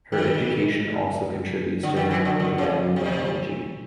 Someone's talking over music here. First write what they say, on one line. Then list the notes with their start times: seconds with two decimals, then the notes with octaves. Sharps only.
Her education also contributes to her knowledge of animal biology.
0.12 D#3
1.83 D3
1.96 D#3
2.11 E3
2.25 D3
2.40 D3
2.58 C#3
2.96 C3